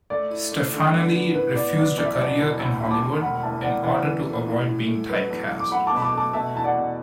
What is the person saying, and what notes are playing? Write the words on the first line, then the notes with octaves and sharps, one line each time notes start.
Stefanelli refused a career in Hollywood, in order to avoid being typecast.
A3 D5
E4
A3
D3
B3
B3
A2 B4
B3 D5
F#3 D5
E2 D5
E5
D5
B2
D5
E2
D2 B5 E6
D2 B5
A5 D6
D2
E1 F#5 B5
E2 E5 A5
E2 D5 F#5
E3 D5 F#5
E3
A3
A2
A2
A3
F#3 B4
E2
F#3
D6
A3 F#5 B5
A5 D6
B2 B5
A5 D6
A3 A5 D6
B2 E5 A5
E2 A5
D5 F#5
B2